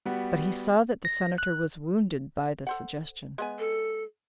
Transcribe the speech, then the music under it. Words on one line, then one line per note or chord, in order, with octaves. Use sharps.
But he saw that the Senator was wounded by the suggestion.
G3 B3 F#4
A#6
F#6
A4 C5 F#5
G#3 B3 G#5
A4